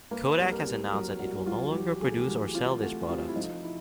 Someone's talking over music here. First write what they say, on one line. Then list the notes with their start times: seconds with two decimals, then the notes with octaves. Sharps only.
Kodak has announced that it will no longer produce or sell this product.
0.11 A#3 B4
0.38 C2
0.52 A#4
0.66 C2
0.92 F#3 A#4
1.19 C2 F#4
1.46 F#3 F4
1.73 E3 G4
2.00 A3 G#4
2.19 G4
2.28 E3 F#4
2.55 C3 F4
2.81 A3 F#4
3.09 C3 F4
3.28 E4
3.36 F3 D#4
3.63 E4